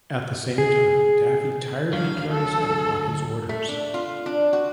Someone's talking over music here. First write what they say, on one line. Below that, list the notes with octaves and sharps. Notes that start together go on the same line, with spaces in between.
At the same time, Daffy tiredly carries out Rocky's orders.
G#4
D2 D3 F#3 F5
A4
A3
D4
F4
D4
F#4